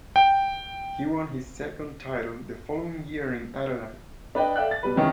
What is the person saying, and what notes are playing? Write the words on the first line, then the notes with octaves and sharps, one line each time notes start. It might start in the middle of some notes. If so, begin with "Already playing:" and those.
He won his second title the following year in Adelaide.
G5
D4 B4 D5 D#5 G5
A4 D5 E5 F5 G5 F#6
A6
B2 G3 B4
C3 D#3 E3 C#4